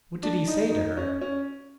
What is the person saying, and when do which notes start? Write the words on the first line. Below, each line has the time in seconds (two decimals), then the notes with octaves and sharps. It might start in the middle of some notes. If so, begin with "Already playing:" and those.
What did he say to her?
0.23 D4
0.48 D#4
0.72 D#4
0.97 C#4
1.21 C#4